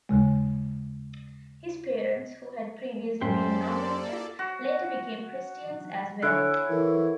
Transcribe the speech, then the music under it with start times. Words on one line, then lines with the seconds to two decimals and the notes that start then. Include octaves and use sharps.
His parents, who had previously been non-religious, later became Christians as well.
0.09 D#2 C#3 G#3
3.21 F#2 A#3 G4 A4 C5 D5 G5 C6
4.39 F#4
6.23 D3 E4 C#5 G#5 F#6
6.69 E3 A4 A#4